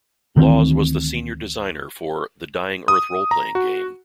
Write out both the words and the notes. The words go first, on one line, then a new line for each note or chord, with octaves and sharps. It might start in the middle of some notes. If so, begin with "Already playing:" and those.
Laws was the senior designer for "The Dying Earth Roleplaying Game".
D2 D#3 E3 C4
D#6
A#5
F#4